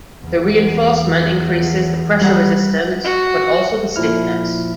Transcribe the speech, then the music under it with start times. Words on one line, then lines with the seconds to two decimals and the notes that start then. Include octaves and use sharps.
The reinforcement increases the pressure resistance but also the stiffness.
0.23 E2
2.22 G3 F#5
3.04 F#4
3.96 A#2 F3 E4 F6